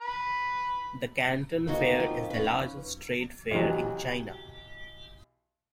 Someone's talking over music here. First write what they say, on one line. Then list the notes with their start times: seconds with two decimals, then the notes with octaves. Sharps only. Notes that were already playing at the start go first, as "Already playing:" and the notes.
The Canton Fair is the largest trade fair in China.
0.01 B4 B5
1.67 A#3 C4 D#4 F#4
2.00 F3
2.30 C#4 B4
3.51 B1 C3 E3 F#3